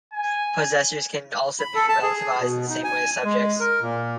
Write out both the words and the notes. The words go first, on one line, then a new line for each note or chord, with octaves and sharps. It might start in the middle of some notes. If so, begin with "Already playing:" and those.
Possessors can also be relativised in the same way as subjects.
G#5
B5
A4
A5
G#4
B2
D#4
G#5
G#3
A#4
A#2